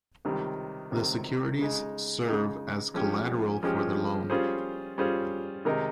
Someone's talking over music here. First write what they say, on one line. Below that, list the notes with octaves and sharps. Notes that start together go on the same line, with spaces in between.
The securities serve as collateral for the loan.
C#2 C3 D#3 G3
C#2 C3 D#3 G3
C#3 G#3 D#4
C#3 G#3 D#4
F3 G#3 C#4 G4
F3 G#3 C#4 G4
G3 C#4 F4 G#4 C5
G3 C#4 F4 G#4 C5
C3 D#3 G#3 D#4 A#4